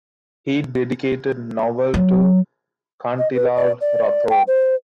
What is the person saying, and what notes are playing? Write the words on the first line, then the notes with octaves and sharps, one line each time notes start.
He dedicated novel to Kantilal Rathod.
F#3
D#5
B4
D5
D5
G5
C5